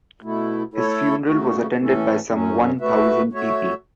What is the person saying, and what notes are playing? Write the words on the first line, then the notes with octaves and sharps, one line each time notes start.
His funeral was attended by some one thousand people.
B2 A3 E4
A3 E4 A4 C#5
C#3 A3 F#4
A2 E3 A3 C#4 A4
F#2 F#3 C#4
A3 F#4 B4 E5
A3 F#4 C#5 E5